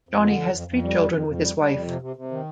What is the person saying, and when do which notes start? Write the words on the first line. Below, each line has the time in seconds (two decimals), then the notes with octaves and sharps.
Johnie has three children with his wife.
0.09 F2
0.24 D3
0.38 F2
0.53 F2
0.68 F2
0.82 G3
0.97 F2
1.12 F2
1.27 F2
1.41 G3
1.57 G3
1.71 F2
1.87 C3
2.01 C3
2.16 C3
2.31 D#3